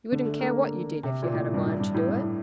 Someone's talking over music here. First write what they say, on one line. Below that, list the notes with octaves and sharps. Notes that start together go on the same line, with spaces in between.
'You wouldn't care what you did if you had a mind to do it.'
D3
A3
A#3
C3
A#2
A2
G2
A2
G2
A2
G2
A2